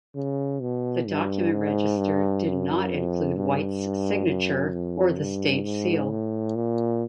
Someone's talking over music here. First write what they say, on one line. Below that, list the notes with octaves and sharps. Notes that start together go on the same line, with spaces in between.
The document registered did not include White's signature or the State Seal.
C#3
B2
G2
G#2
G2
F#2
F2
G2
F#2
F2
G2
G#2
A2
A#2